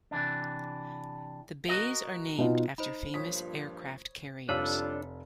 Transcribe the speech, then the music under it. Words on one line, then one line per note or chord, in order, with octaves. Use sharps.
The bays are named after famous aircraft carriers.
C3 E3 D4
F#4 A#4 D#5
B2 D#4 F4
D#4 C5 B5
G2 A#2 F3 C#5 D#6 B6
F1 G3 D4 F4 A4 C#5 F5 B6